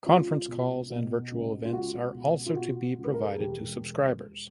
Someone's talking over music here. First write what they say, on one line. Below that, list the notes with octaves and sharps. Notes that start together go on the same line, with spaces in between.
Conference calls and virtual events are also to be provided to subscribers.
C#2 F4
B2
B2
C#2
F4
C#2 F#4
B2
F4
B2 F#4
C#2
B4
A#4
A4
G#4
E1 G4